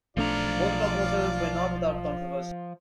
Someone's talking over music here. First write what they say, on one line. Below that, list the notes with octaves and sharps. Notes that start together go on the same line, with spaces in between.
Both proposals were not without controversy.
B1 F3 A3 D4 F4 D5 A#5